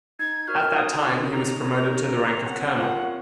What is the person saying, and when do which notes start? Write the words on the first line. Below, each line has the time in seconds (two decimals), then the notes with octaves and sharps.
At that time he was promoted to the rank of colonel.
0.19 D#4 G#6
0.48 F#4 A#4 C#5 F6
0.76 D#4 D#6
1.05 F#4 A#4 C#5
1.32 D#4 A#5
1.61 A#4 C#5
1.89 D#4
2.18 A#4 C#5
2.46 C4 F#5
2.74 F4 A#4 C#5 F5 F#5
3.02 C4